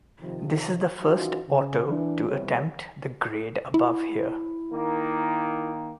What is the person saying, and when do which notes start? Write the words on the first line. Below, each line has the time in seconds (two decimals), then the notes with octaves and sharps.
This is the first auto to attempt the grade above here.
0.20 C3 D#3 F3
1.02 E3 C#4 D#4 F4 F#4
1.49 C#3
1.87 E3 D4
2.29 C3 E3 G3 B3 C#5
3.74 E4
4.72 D#3 A#3